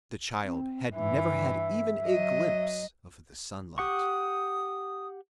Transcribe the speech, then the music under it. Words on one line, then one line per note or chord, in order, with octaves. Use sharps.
The child had never had even a glimpse of the sunlight.
C4
G2 E3 E5
F#3 D#5
G4 F#5 C#6 D#6